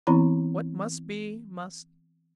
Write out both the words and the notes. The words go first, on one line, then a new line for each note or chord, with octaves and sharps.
What must be, must....
E3 B3 C4 E4 A#5 B5